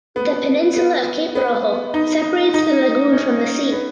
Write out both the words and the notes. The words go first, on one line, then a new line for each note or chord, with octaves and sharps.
The peninsula of Cape Rojo separates the lagoon from the sea.
B3
B3
B3
D#4
D#4
C#4
B3